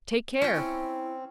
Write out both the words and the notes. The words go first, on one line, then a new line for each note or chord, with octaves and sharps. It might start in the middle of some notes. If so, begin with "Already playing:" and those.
Take care!
C#4 F4 G5
C4 E4